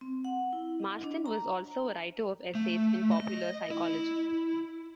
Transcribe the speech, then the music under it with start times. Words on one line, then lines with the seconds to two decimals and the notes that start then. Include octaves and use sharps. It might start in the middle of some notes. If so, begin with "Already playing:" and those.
Marston was also a writer of essays in popular psychology.
0.01 C4
0.25 F#5
0.53 E4
0.80 D#5
1.04 D4
1.26 A#5
2.55 A3
3.11 D#5
3.70 E4